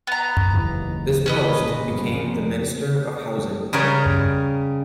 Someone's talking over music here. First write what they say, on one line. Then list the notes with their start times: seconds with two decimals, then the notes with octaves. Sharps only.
This post became the Minister of Housing.
0.07 B3 A#5
0.53 F#1 D#2 E3
1.26 E3 C#4 B4 D#5
1.60 A#2 C#3
1.90 G2 B2 F3
2.14 F2 C3
3.73 C#3 G3 A#4 C#5